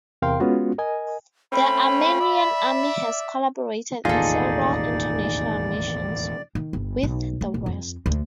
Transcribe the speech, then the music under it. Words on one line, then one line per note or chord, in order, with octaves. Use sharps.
The Armenian army has collaborated in several international missions with the West.
E2 C3 A#4 F5 G5 C6
G#3 B3 C#4 F4 F#4
A#4 D#5 G#5
A3 C4 C#4 B5
D5 E5
E1 A1 D#2 D#4 F4 G#4 A4 D5
D#3
G1
B1
A3
D1
F2
D2